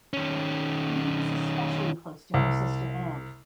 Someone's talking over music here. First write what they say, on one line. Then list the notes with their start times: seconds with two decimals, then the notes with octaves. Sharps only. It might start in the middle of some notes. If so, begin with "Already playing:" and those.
Lee was especially close to her sister Anne.
0.13 D#3 C#4
2.34 C2